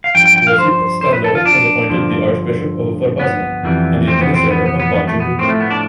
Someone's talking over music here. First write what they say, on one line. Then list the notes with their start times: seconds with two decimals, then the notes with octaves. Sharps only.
Josip Stadler was appointed the Archbishop of Vrhbosna and Administrator of Banja Luka.
0.04 F5
0.15 G2 F3 G5
0.25 G5
0.36 G5
0.47 F5
0.58 C5
1.01 C5
1.13 B4
1.24 A4
1.35 F4
1.46 D4
1.89 G2 D3 F3
3.20 B3
3.63 F2 E3 G3
4.08 C4
4.21 B3
4.34 C4
4.51 B3
4.66 B3
4.80 B3
4.94 B3
5.07 A3
5.20 B3
5.39 A2 F3 C4
5.49 A3
5.61 B3
5.71 D4